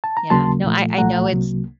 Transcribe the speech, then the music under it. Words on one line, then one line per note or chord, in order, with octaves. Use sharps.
Yeah. No, I I know it's
A5
A#5
D#2 C#3 F#3 A#3 A5 C6
A#2 F3 A3
C2 A#2 F3 A3 F#5 A#5
C2 C3 F#3 A#3